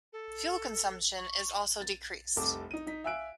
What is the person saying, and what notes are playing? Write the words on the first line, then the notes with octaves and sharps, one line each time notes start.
Fuel consumption is also decreased.
A4
C#6
A6
F1 C2 A4 D6
D#4 D#7
D#4 B6
E5 F5 G#5 E6 F#6 D7